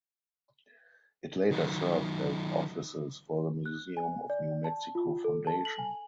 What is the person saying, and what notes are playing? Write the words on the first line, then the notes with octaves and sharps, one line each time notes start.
It later served as offices for the Museum of New Mexico Foundation.
D#3 F#3
F#6
G#5
D5
A5
F4
A4
A5
F#7
G#5